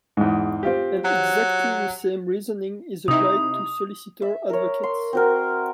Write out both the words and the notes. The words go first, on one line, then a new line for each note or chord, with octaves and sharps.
And exactly the same reasoning is applied to solicitor advocates.
E2 G#2
C4 F4 G4
F#3
C3 D#4 E4 D#6
E5
A#4 C#5
C6
C4 F#4 A#4